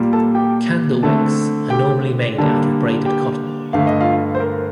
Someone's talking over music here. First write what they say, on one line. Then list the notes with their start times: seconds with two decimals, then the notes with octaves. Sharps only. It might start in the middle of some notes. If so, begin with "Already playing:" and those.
Candle wicks are normally made out of braided cotton.
Already playing: A#2 G3 A#3
0.13 A4 A5
0.35 G4 G5
1.03 D3 A3 C4 A4 A5
1.70 G4 G5
2.38 D3 G3 A#3 A4 A5
3.06 G4 G5
3.73 G2 D3 A3 F5
3.87 D#5
4.01 F4 F5
4.35 C5
4.40 A#4